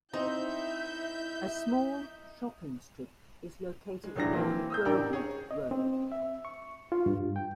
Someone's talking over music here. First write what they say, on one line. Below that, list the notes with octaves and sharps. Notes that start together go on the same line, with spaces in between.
A small shopping strip is located along Burwood Road.
C4 D#4 E4 E5 G6
G#3
D#1 F#3 D4 E4 A#6
E3 A#3 C4
D#6 E6 G6
A1 D4 G4 A#4 G5
G#4 C#5
D#5
C4
E5
C#6
F4
G2
G5